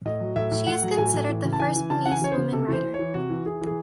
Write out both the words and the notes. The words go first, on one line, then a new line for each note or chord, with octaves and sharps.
She is considered the first Beninese woman writer.
A2 D#5
F#3
A2 E5
A2
A2 F#5
F#3
A2 G#5
A2
E3
C#3
A5
E3 G#5
E3
C#3 A5
E3 F#5
G#5
C#3 C#5
C5
C#3
C3 A4
E3 C5
E3
C#5
E3
C3 F#4
E3
E3 G#4
E3
G#4